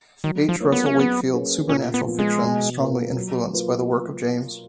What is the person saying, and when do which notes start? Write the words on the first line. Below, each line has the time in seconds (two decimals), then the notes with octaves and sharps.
H. Russell Wakefield's supernatural fiction was strongly influenced by the work of James.
0.24 D#3 F#3
0.49 F3
0.60 A#3 F4 A#4 C#5
0.72 B3
0.86 C#4
0.96 F#3 B3
1.33 A#3 C#4 G#4 B4
1.69 A#2 C#4
1.94 B3
2.06 F3 B3
2.19 G#3
2.43 B2
2.79 A#3 F4 B4
3.15 F#3
3.53 A#3 F4 B4